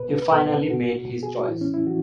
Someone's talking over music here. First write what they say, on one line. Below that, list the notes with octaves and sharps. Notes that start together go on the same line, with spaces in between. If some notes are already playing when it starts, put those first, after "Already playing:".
He finally made his choice.
Already playing: B2 B4
B4
B2 A4
B2 F#4
B2
G#4
F#4
A2 E3 E4
C#4
E4
E3 F#4